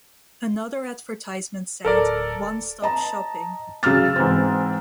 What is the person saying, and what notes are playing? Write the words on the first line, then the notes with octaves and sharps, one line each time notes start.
Another advertisement said, One-stop shopping.
D1 A4 A#4 D5
D#5 A5 A#5
C#3 F#3 E6 F6 A6
G#2 E3 C4